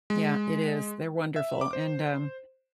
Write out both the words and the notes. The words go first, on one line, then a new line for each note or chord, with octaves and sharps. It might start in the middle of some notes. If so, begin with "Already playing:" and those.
Yeah. It is. They're wonderful, and, um,
G#3
E5
D6
C5